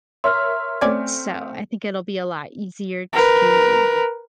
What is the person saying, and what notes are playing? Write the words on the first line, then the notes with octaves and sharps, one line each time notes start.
so I think it'll be a lot easier to
A#4 C#5 E5 C6 F6
A3 C4 C#4 D5 G#5
A#4 B4